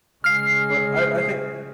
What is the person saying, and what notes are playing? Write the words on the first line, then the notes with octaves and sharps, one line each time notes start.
But I I think
C#3 G#3 F6 C7